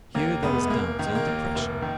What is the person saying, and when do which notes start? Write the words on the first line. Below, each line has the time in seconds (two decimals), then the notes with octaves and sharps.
Here there was doubt and depression.
0.15 D#2 A#3
0.43 F1 G#3 B3
0.67 G#3
0.70 F1 A#3
0.99 D#3 A#3
1.07 G#3
1.15 A#3
1.27 D#2
1.55 F1
1.82 D#3